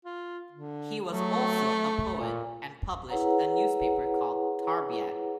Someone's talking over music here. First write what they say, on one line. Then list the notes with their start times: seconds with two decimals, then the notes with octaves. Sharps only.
He was also a poet and published a newspaper called Tarbiat.
0.05 F4
0.52 D3
1.08 F#3 A3
2.20 A#2
3.10 E4 G#4 B4 C#5 F#5 A#5